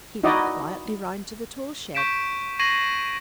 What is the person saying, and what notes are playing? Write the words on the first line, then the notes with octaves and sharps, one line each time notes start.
He went quietly round to the tool shed.
D#4 E4 F#4 D5 D#5
C#6 G6 B6 D7 E7
C#6 G#6 A#6 C7 D#7 F#7